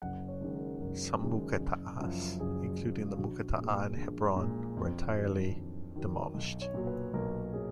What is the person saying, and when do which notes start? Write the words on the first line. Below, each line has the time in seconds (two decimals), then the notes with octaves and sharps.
Some Mukataas, including the Mukataa in Hebron, were entirely demolished.
0.02 F#1 F#5
0.28 C#5
0.41 F#2 D#3 G#3
0.55 A#4
0.76 G#4
0.81 F#1 A#4
1.21 F#2 D#3 G#3
1.60 F#1
2.00 F#2 F3
2.40 F#1 G#4
2.79 F#2 F3
3.09 F4
3.18 A#1 F#4
3.58 A#2 G#3
3.97 A#1
4.36 A#2 G#3
4.77 F2
5.16 D#3 F#3
5.56 F2
5.96 D#3 F#3
6.34 B1
6.62 C#5
6.74 A#2 F#3
6.87 B4
7.13 B1 A#4
7.53 A#2 F#3 G#4